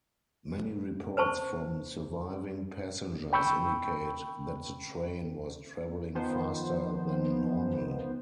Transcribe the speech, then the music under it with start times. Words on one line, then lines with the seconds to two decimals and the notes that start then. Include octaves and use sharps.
Many reports from surviving passengers indicate that the train was travelling faster than normal.
1.17 B4 C5 A5 C#6
3.33 G5 B5 C#6 E6 G6
6.15 D#3 F3 B3 C5